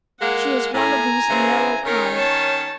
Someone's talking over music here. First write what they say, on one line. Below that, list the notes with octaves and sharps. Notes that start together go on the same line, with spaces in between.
She's one of these narrow kind.
G#3 A#3 F#5
A2 G#5 A#5
C#3 E3 C4
D#3 C#4 A#4
C#5 A5